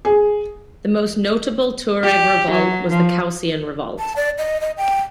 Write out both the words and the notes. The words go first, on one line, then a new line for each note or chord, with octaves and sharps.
The most notable Tuareg revolt was the Kaocen Revolt.
G#4
G4
F#3
F3
A5
D5
D#5
D#5
G5